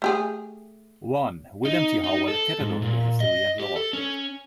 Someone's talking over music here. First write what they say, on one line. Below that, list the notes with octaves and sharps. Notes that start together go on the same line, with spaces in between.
One, William T. Howell, catalogued their history and lore.
A3 G4 G#4
D#4
D#4
A4
G#2
A#2
D#5
G4
A4
C#4